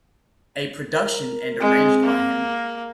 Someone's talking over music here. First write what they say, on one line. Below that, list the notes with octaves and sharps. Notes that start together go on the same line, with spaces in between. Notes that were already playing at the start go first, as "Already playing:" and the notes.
A production and arranged by him.
A#4
G#3 C4
A#3